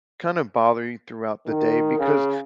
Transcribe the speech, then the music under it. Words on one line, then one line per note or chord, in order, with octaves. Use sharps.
kinda bother you throughout the day because
D#3
C#3